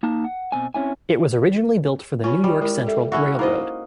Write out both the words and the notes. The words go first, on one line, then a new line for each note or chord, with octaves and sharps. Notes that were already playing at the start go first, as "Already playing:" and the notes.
It was originally built for the New York Central Railroad.
A#3 D#4 A5
F#5
B2 C4 G#5
C4 C#4 E4 G#5
C#4 F4 C#5 B5
G3
G#3 E4 A#4
A4 E5
C#4 E4 F#4 E5
A#3 D#4 E4 C5 D#5